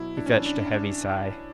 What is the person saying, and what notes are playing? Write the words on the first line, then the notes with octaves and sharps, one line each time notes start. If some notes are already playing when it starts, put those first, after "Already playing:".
He fetched a heavy sigh.
Already playing: B2 F#3 E4
D4
C#4
D4
D4
D4